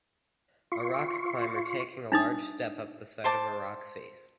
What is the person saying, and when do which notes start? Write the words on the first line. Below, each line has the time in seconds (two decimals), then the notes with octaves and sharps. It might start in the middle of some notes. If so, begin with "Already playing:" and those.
A rock climber taking a large step up the side of a rock face.
0.72 F4 C6 C#6
2.12 D4 D#4 D#6
3.24 C5 A5 D6